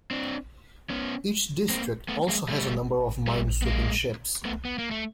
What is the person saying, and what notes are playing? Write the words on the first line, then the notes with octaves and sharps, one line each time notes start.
Each district also has a number of minesweeping ships.
C4 D4
B3 C#4
A#3 C4
A3 B3
G#3 A#3
G3 A3
G3 A3
B3
G#3 A#3
A3 B3
B3
A#3
A3